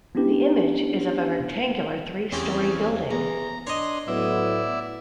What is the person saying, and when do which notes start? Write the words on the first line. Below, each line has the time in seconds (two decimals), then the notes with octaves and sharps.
The image is of a rectangular three-story building.
0.15 B3 C#4 D4 E4 G4 B4
2.32 E2 C4 C#4 G4 G#4
3.11 E2 A#5
3.67 D4 C#5 D#5 C6
4.08 A2 F#3 B3 E4 D5 E5